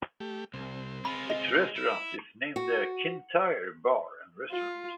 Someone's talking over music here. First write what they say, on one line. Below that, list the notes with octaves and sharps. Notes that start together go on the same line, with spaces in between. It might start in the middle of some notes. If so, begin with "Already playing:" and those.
Its restaurant is named the Kintyre Bar and Restaurant.
A3 G4
C2 C4
G#3 F4 B5
D#5
E4
F#4
F4